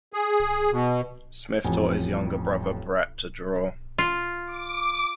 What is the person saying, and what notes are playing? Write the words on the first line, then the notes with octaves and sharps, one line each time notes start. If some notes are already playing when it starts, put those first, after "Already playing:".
Smith taught his younger brother Bret to draw.
G#4
B2
A1 F2 G#5
F4
D6